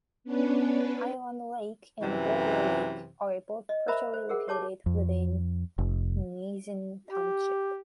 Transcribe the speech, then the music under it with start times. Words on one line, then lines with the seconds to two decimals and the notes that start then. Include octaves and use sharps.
Island Lake and Boulder Lake are both partially located within Gnesen Township.
0.24 B3 C#4 D4 B4
2.01 F#2 C3 E3
3.69 D#5
3.88 A#4 C5 E5 A#5 B5
4.13 C5
4.29 G#4 A#4 F#5
4.48 G4 C#5 A5 D6
4.86 F2
5.78 F1
7.10 G4